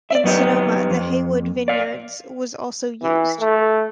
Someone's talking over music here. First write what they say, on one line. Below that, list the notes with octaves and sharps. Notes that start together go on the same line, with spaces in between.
In Sonoma, the Haywood Vineyards was also used.
D5 E5
F#2 B3 D#4 G4
F2
D5 F5
E3
A3